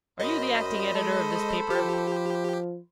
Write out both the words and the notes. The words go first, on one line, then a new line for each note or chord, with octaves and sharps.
"Are you the acting editor of this paper?"
F#2 C5 D#5 B5
G#3 A4
F3 G4